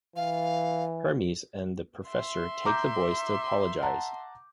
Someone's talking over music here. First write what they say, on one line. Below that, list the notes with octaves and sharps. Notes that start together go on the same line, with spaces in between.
Hermes and the Professor take the boys to apologize.
E3 F5
E5 C6
A#5 D6 G6
F#5 A5 A#5